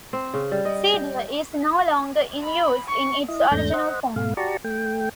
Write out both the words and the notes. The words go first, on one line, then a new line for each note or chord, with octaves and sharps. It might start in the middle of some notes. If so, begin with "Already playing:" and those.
The procedure is no longer in use in its original form.
C4
C#3
G3
D#5
G4
B5
C#6
E4 D#5
E2 G#2 A3 D4 G6 A#6
C5 D#5 F#5
G#2 B2 A3 F5
F#4 G4 D5 A5 A#5 C#6
A3 G5